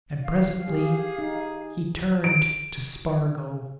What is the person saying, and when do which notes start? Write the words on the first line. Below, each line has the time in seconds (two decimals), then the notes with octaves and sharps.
And presently he turned to Spargo.
0.23 F5
0.68 G4 G#4
1.19 D#4
2.24 D7